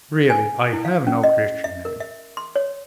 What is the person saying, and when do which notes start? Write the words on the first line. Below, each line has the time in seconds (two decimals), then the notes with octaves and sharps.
Really, I have no Christian name.
0.30 G#5
0.73 E4
0.85 F5
1.07 C#4
1.23 D#5
1.64 E5
1.85 A#4
2.00 E5
2.37 C6
2.56 C#5